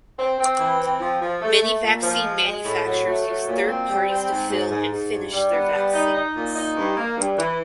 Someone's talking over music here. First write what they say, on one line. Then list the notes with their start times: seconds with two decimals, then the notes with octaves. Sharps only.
Many vaccine manufacturers use third parties to fill and finish their vaccines.
0.18 C4
0.38 C4
0.59 E3
0.79 C4
1.00 F3
1.21 F3
1.41 A3
1.61 A3
1.83 A#2
2.03 F3
2.23 G#3
2.44 G#3
2.64 A2
2.85 F#3
3.06 A3
3.26 F#3
3.47 A#2
3.67 C4
3.88 G3
4.08 C4
4.29 G#2
4.49 G#2
4.70 G#2
4.91 G#2
5.11 G2
5.32 G3
5.52 B3
5.73 G3
5.93 D#4
6.14 D#4
6.35 A#2
6.55 D#4
6.76 G2
6.96 A#3
7.17 G2
7.38 E3